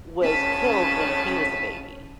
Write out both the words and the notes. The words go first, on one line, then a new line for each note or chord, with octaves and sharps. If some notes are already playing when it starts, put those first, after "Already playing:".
was killed when he was a baby.
F2 A2 C#3 C#4 A5 B6 D#7